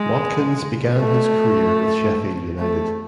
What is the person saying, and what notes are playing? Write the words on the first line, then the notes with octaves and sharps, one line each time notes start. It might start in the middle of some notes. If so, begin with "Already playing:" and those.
Watkins began his career with Sheffield United.
Already playing: G#3
A3
A3